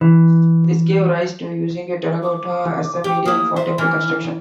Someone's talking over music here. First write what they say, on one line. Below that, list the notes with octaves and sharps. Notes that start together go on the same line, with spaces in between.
This gave rise to using terracotta as a medium for temple construction.
E3
D6
G4 D6
A#3 E4 D#6
C5 E5
E3 F6